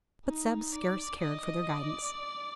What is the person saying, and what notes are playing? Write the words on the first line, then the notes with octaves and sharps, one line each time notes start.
But Zeb scarce cared for their guidance.
D#4
D5
D#5
D5